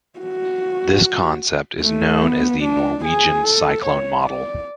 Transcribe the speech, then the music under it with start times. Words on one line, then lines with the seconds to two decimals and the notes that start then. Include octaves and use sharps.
This concept is known as the Norwegian cyclone model.
0.19 F#4
1.82 A3
2.23 B3
2.63 D4
3.05 G#4
3.45 A4
3.86 C#5
4.26 D5